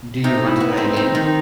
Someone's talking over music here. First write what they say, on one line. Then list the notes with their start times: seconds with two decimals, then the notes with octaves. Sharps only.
Do you want to play a game.
0.24 C3 D#4
0.47 E4
0.60 B3
0.72 D#4
0.77 C4
0.96 C4
1.15 D#3